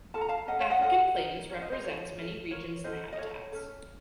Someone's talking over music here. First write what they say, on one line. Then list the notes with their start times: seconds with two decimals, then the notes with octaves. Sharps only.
African Plains represents many regions and habitats.
0.14 F4 A4 A5
0.21 A#5
0.29 F5 A5
0.47 C#4 D#5 F#5
0.52 A4
0.60 C#5 F5
0.70 D#5 F#5
0.82 F4 A4 D#5 F#5
1.16 D#4 A#4
1.50 C#4 F#4 A#4 C#5
1.61 C5 D#5
1.72 C5 D#5
1.84 D#4 A4 C#5
2.17 C#4 A4
2.51 F4 A#4 C#5
2.84 C#4 F#4 A4 C5 D#5
3.13 D#5
3.18 F4 A4 C#5
3.52 C#4 A4